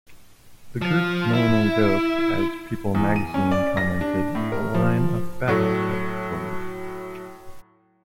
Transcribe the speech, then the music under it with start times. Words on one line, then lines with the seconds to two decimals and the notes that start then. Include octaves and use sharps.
The group's name evoked, as "People" magazine commented, "a line of bathtub toys".
0.81 F3
1.33 E4
2.95 E2
3.16 D#7
3.34 C#4
3.52 D5
3.77 A#6
4.01 D4
4.35 A2
4.52 A#4
4.75 F3
5.48 A2 F#3 A3